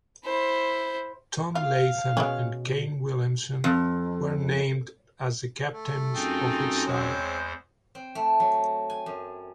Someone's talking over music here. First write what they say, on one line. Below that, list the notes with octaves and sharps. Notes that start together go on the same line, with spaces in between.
Tom Latham and Kane Williamson were named as the captains of each side.
E4 C5
F4 F5
B2 G#3 B3 C#4
F2
A3
F#2 C4 D#4 F4 G#4
E2 G#3 C4 C5 C#5
C4
A3
F#3
G#5
F#2